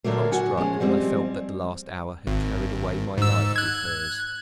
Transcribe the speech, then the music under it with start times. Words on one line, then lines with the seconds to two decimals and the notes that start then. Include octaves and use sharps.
The clock struck and I felt that the last hour had carried away my life with hers.
0.04 A#2 D3 F#3 A3 A#3
0.32 F#4 F#5 G#5
0.57 F3 G#3 C#4 G#4
0.80 F3 G3 G#3 C4
2.27 G#1
3.17 G#2 E6
3.56 F#6 G#6